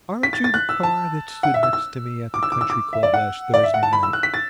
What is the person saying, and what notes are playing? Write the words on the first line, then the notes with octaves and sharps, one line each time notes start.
"Aren't you the car that stood next to me at the country club last Thursday night?"
B6
A6
A6
F#6
E6
A5
F#5
E5
E6
E6
D6
E6
D6
E6
D6
E5
D5
F#5
D5
E5
F#5
A5
B5
E6
F#6
B6
A6